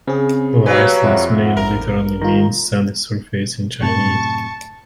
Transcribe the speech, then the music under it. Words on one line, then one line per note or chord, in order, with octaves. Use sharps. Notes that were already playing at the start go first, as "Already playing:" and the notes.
The island's name literally means "sandy surface" in Chinese.
C#3 C4 G#4
F#3 G3 B4 C5 F5 G#5
F2 F4 E5 F#5
A1 A#4
D#3 F4 A#5
F#2 A2 C3 A5 C#6